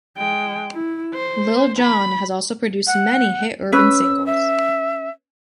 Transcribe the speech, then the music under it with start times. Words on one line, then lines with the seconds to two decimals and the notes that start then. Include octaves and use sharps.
Lil Jon has also produced many hit urban singles.
0.18 G#3 G5
0.73 E4
1.15 C5
1.80 B5
2.87 F#5
3.72 C#4 B4 E6
4.26 E5